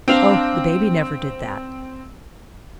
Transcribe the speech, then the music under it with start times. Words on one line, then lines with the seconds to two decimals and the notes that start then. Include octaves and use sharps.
Oh, the baby never did that.
0.08 C4 D4 F5 A#5